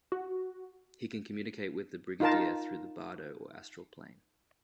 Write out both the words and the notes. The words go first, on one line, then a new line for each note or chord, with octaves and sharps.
He can communicate with the Brigadier through the "bardo" or astral plane.
F#4
D#4 F4 A#4 A5